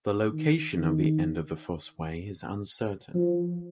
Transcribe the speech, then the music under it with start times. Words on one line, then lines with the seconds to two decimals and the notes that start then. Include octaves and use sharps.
The location of the end of the Fosse Way is uncertai.
0.32 D#3
0.78 D#3
3.14 F3